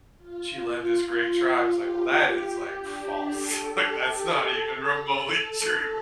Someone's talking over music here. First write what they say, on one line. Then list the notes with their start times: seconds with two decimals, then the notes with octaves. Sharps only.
she led this great tribe. It's like, "Well, that is, like, false, like, that's not even remotely true."
0.18 F4
0.70 F4
1.21 F4
1.73 G4
2.25 G4
2.77 D4
3.28 A4
3.79 G4
4.30 A4
4.83 A4
5.34 A4